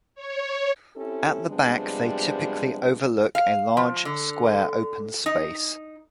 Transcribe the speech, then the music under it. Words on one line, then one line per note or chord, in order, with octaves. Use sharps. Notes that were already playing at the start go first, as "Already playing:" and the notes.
At the back they typically overlook a large square open space.
C#5
C4 C#4 E4 G4 A4
C3 F3 G3 G#3 B3 D4
F5
F3
D3
D#4